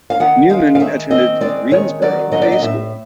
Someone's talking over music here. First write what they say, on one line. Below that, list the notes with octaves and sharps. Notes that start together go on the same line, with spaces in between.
Newman attended Greensboro Day School.
F5
D#3 F#5
G#3 F5
F5
D#3 E5
C4 D#5
G#3 D5
D#3 C#5
F#3 D5
F#3 D#5
D5
D#5
A2 E5